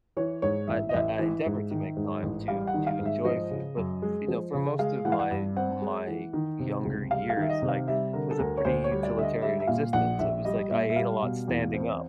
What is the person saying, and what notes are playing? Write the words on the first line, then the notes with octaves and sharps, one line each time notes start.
I that I endeavor to make time to to enjoy food, but, you know, for most of my my younger years, like, was a pretty utilitarian existence, it was like, I ate a lot standing up,
E3 C#5
G#2 C#5
A1 E5
D#5
A1 E5
E3
G#2
D#3
G#2
A1
G3 F5
F#5
D#3
F5
G#2
E5
F3 D#5
C#3
F#2
G#3
F3
C#3
G#3 F5
E3 F#5
F5
F#5
G2
C4 F#5
G#3
E3
D#3
C3
C#2
G3 F5
F5
D#3
E5
D#5
C3
F5
G3 E5
D3 A#4
A4
D2 A#4
C#5
D2 C5
C#5
G3
D5
D3 E5
D#5
G3 E5
E5
A#2 F5
A#1 F#5
A#1 E5
G3 D#5
A#2 E5
E5
G3 F5
B2
E2
C4